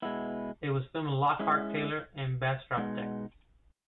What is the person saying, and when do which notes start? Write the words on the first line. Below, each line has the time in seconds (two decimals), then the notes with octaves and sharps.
It was filmed in Lockhart, Taylor and Bastrop, Texas.
0.02 B2 G#3 B3 E4
1.39 G#3 C#4 E4
2.77 B2 G#3 B3 D#4